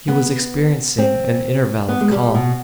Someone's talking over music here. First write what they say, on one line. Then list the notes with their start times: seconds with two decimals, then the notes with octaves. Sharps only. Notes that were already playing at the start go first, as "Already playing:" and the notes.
He was experiencing an interval of calm.
0.08 B3
0.98 C4
1.89 B3
2.01 G#3
2.11 G3
2.35 B2